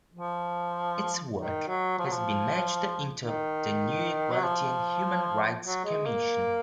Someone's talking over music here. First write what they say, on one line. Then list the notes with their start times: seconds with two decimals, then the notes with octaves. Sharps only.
Its work has been merged into the new Equality and Human Rights Commission.
0.14 F3
1.37 D#3
1.68 F#3
1.98 F3
2.05 F#3
2.12 F3
3.20 D#3
4.32 F#3
4.42 F3
5.65 F#3
5.85 G#3
6.06 A#3